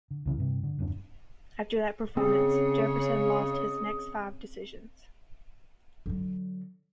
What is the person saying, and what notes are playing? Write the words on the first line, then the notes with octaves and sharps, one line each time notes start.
After that performance, Jefferson lost his next five decisions.
D3
C2 C#3 E3
G2 C3
D3
D1 F#2 D3 D4
C#3 C4 G#4 C#5 D#5
D3 F#3